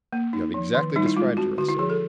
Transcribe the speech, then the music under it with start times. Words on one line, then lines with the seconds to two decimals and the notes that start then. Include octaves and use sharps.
"You have exactly described her," I said.
0.13 A#3
0.33 D#4
0.54 F3
0.75 D#3
0.96 G3 D#4
1.06 E4
1.16 G#3 F4
1.37 C4 F#4
1.58 D3 F#4
1.69 E4
1.79 F3 G#4
1.90 A4